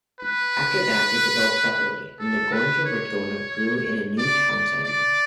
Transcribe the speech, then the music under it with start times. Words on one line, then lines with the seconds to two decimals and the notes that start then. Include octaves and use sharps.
After that they developed separately, and Gornja Radgona grew into a new town centre.
0.21 B4
2.20 A4
2.53 B4
2.86 C#5
4.18 D5
4.51 D5
4.84 D5